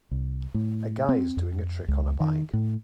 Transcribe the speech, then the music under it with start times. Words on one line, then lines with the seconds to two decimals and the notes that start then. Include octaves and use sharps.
A guy is doing a trick on a bike.
0.11 C2
0.54 A2
1.09 C4
1.37 F2
1.88 C#2
2.20 D#3
2.53 A2